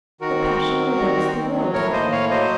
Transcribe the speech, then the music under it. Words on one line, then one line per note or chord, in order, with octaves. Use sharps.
The passion rebuilds the world for the youth.
D#3 F#4 A#4
C4
D#3
F#3
D#3
C4
D#3
F#3
A2 A#4 C#5
A#3 C5 D#5
A2 C#5 F5
F#3 C5 D#5